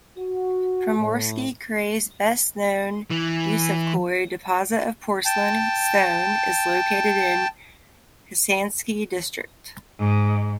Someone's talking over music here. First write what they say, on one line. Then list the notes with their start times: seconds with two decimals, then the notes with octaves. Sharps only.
Primorsky krai's best-known Gusevskoye deposit of porcelain stone is located in Khasansky District.
0.17 F#4
0.98 A2
3.10 E3
5.25 G5 A5
9.99 G#2